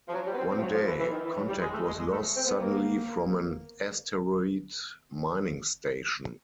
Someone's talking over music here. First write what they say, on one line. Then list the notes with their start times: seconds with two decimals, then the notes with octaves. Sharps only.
One day, contact was lost suddenly from an asteroid mining station.
0.08 F3
0.13 F#3
0.25 G3
0.32 B3
0.37 C4
0.50 C4
0.57 F3
0.62 F#3
0.74 F3
0.86 E3
0.99 E3
1.11 D#3
1.24 E3
1.36 F#3
1.48 G3
1.61 G#3
1.73 A3
1.86 G#3
1.98 G#3
2.11 A3
2.35 C4
2.47 B3
2.60 A#3